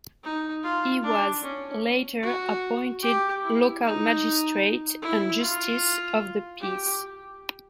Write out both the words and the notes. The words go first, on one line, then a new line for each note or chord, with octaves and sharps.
He was later appointed local magistrate and Justice of the Peace.
D#4
F4
D4
C#4
F#4
G4
E4
D#4
E4
F4
G4